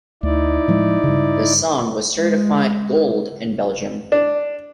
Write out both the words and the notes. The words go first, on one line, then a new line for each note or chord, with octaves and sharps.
The song was certified Gold in Belgium.
D2 D#4 E4 D5
A2 F3 G#3
G2 C#3
G#3
D4